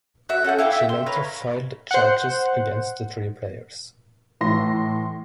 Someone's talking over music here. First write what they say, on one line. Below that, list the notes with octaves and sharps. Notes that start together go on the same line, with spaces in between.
She later filed charges against the three players.
F#4 E5
C#4 A4 F#5 G6
E4 F5 G5 D6
E5
C6
A#4 B4 C#5 F5
C5 F#5
A2 E3 C6 A#6